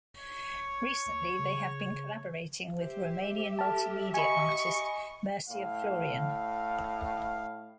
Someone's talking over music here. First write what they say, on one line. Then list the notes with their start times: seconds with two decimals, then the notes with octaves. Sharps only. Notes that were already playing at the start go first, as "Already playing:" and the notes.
Recently, they have been collaborating with Romanian multimedia artist Mircea Florian.
0.17 C#5
0.53 G#1
1.06 D#2
1.39 C#3
2.80 G4 C5 E5
3.59 A4 A5 F6
4.14 D#5 G#5 B5 C#6
5.49 A2 F5